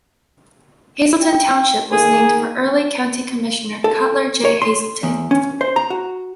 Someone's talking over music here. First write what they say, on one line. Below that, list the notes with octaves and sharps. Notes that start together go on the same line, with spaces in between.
Hazelton Township was named for early county commissioner Cutler J. Hazelton.
G5
D#3 A#3 G#4
A4
C#5
C6
E2
C#4
C5
A#5
F#4